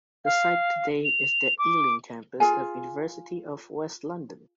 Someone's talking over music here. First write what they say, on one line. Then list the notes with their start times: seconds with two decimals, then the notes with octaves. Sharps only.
The site today is the Ealing campus of University of West London.
0.25 F5
1.05 F7
1.59 D6
2.40 F4 G#4 G#5